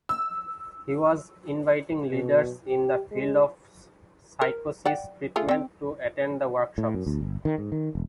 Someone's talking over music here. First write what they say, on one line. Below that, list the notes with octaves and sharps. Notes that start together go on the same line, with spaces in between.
He was inviting leaders in the field of psychosis treatment to attend the workshops.
E6
B2
G4
G#3
A#4
D5 F#5 G5
A3 F4 G#4
C4 G5
A2
F#2
D2
G1
D#3
G#2
D#3
E1